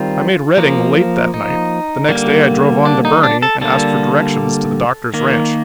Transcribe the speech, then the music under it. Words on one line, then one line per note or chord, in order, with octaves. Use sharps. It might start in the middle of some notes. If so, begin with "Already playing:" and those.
I made Redding late that night; the next day I drove on to Burney and asked for directions to the Doctor's ranch.
Already playing: D#3 G3 C4 F4
F3 A#3
D#4
D3 G3 A#3
D4
D#4
D4
A4
D3 G3 A#3 A4
D#3 A#3